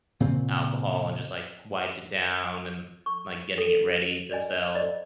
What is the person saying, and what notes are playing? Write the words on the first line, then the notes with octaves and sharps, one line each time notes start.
alcohol, and just, like, wiped it down and, like, getting it ready to sell.
A#2 C#3 C4
C#6
A4
D5 D#5 G#5
D5 D#5